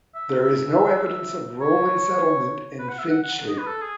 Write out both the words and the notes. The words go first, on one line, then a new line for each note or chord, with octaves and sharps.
There is no evidence of Roman settlement in Finchley.
E5
E5
C#5
B4
F#5
E5
F#5
F#5
D#5
B4
A4
G#4